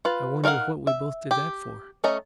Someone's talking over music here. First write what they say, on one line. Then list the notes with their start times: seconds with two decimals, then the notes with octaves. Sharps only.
"I wonder what we both did that for?"
0.05 F4 B4
0.44 D#4 A#4 D5 F5 F#5
0.87 E5
1.31 G4
2.04 A3 C#4 D#5 A#5